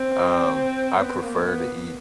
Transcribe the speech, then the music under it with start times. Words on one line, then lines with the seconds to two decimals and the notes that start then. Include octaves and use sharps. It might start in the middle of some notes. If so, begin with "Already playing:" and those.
Um, I prefer to eat
Already playing: C4
0.97 B3
1.22 A#3
1.47 B3